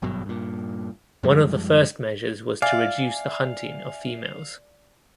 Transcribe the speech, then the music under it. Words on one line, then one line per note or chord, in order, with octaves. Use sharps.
One of the first measures was to reduce the hunting of females.
G#1 G2 B2 F#3
G2 A#2
F#2 F3 G3 G#3
D5 E5 F5 G#5